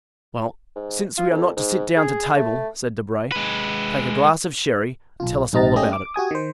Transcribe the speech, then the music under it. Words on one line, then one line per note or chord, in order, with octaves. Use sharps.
"Well, since we are not to sit down to table," said Debray, "take a glass of sherry, and tell us all about it."
G#2
F4
F2
G#2
G#4
A3
G#3 B4
B1 F4
A#1 G#2 D#4 D#5 A#5 A6
A3 C#4 G4 G#4 D#5
D6
F#4 G4 G#5 D#6
D#3 C5